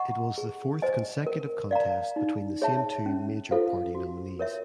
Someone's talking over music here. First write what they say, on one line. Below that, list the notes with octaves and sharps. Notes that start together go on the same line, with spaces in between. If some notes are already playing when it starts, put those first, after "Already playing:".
It was the fourth consecutive contest between the same two major party nominees.
Already playing: D#5 F#5 A#5 C#6
G#4
C5 D#5 G#5
A#4
D5 F5 A#5
D#4
G#4 C#5 E5 A5
C#4
F4 A4 C5 F5
F#4
A#4 C#5 E5